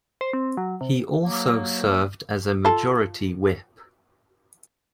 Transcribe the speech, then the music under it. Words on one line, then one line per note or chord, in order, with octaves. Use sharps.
He also served as a majority whip.
C5
C4
F#3
C3
F#3 A#3
F4 A4